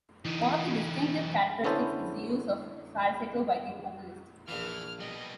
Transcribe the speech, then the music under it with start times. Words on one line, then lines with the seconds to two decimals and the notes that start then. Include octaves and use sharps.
One of the distinctive characteristics is the use of a falsetto by the vocalist.
0.25 E3 D#4
1.64 D3 B3 C#4 E4 A4 C5
4.48 A#1 E3 D4 F4 F6
5.00 B2 G3 D#5